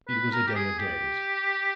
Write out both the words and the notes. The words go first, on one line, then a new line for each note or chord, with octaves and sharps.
It was a day of days.
B4
A#4
G4
G#4
G4